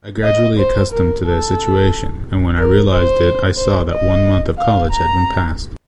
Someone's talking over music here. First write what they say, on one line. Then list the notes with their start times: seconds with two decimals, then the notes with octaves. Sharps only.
I gradually accustomed to the situation and when I realized it I saw that one month of college had been passed.
0.24 D#5
0.58 C5
0.91 A#4
1.24 A4
2.57 A#4
2.91 C5
3.57 C5
3.91 D#5
4.57 F5
4.90 A#5